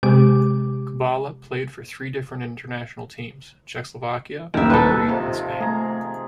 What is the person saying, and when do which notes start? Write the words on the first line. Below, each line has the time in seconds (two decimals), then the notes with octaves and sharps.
Kubala played for three different international teams - Czechoslovakia, Hungary and Spain.
0.03 C3 G#3 G4 D6
4.54 D#1 A1 D#2 D#3 E5
4.70 A4 B4
5.08 C3 D#3 F3
5.60 A3 G#4 A#5